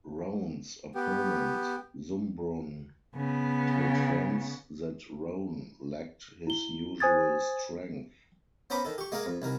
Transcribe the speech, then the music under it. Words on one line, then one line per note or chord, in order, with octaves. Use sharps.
Rone's opponent, Zumbrun, told friends that Rone lacked his usual strength.
B3 G4
C#3 B3
E4 G7
C5 G#5 D#6 G#6 A6
B3 C#4 C5 A#5 B5 D6
D#3 A4
G4 C#6
G#3 A#3 G#4 A#4 F5
F2
C2 D#3 A#4